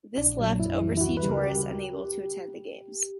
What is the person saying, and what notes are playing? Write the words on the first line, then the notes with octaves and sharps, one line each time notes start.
This left overseas tourists unable to attend the Games.
A#1 D4
A#2 F#3
F#2 E4
E3 G3
E4
D2 F#4
B4
C#3 G3
A#4
G4